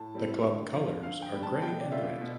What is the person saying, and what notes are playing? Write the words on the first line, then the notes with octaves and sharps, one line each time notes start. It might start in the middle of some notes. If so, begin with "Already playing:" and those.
The club colours are grey and red.
Already playing: A2 A5
G3 C4 E4
D3
F3
C4
D3 F5
G5
G3 B3
A5
B2 G5
D5
A3 D4 F4 E5
B2